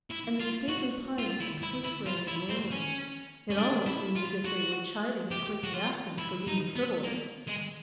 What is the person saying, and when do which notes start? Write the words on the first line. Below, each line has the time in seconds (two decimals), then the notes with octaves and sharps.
And the stately pines kept whispering and murmuring; it almost seemed as if they were chiding the quaking aspens for being frivolous.
0.10 E4
0.40 F4
0.69 F#4
1.19 F4
1.41 E4
1.63 E4
1.84 E4
2.06 F4
2.27 E4
2.49 C4
2.71 C#4
3.50 C#4
3.58 D4
3.86 E4
4.16 F4
4.45 F#4
5.31 G4
5.64 F#4
5.75 F4
6.18 E4
6.47 D#4
6.76 B3
7.04 A#3
7.48 G#3